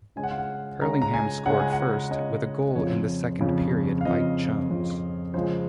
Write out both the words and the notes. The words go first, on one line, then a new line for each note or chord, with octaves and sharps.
Hurlingham scored first, with a goal in the second period by Jones.
C#3 G#3 C#4 G#5
F#5
F5
F#5
C#3 G#3 C#4 A#5
A#5
G#5
C#3 G#3 C#4 F#5
G#5
F#5
C#3 G#3 C#4 D#5
D#5
F2 C#3 F3 C#5
F2 C#3 F3
F5
F2 C#3 F3 D#5
F2 C#3 F3
C#3 F3 G#3 C5